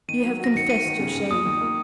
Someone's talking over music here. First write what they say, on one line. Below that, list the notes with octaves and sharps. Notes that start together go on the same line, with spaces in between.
You have confessed your shame.
D#3 D#7
F#3
F#4 A#6
D#3 C#7
F#4 D#7
D#3
C#3
C#3
D#2 D#6
D#3
A#3